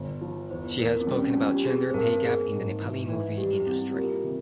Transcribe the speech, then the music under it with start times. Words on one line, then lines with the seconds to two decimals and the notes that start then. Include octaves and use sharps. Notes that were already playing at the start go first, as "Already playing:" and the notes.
She has spoken about gender pay gap in the Nepali movie industry.
Already playing: G1
0.21 F3
0.50 E2 C5
0.79 E2 A#4
1.01 C4
1.07 G3 C#4
1.22 C#4
1.36 C#4 F4
1.51 G4
1.65 C4 G#4
1.90 C5
1.94 G2 A#4
2.22 A#3 G#4
2.52 G#2
2.80 E3
3.09 E3
3.38 G3 G4
3.53 E4
3.66 G3 C4
3.81 E4
3.91 G4
3.95 A#3 F4
4.24 C3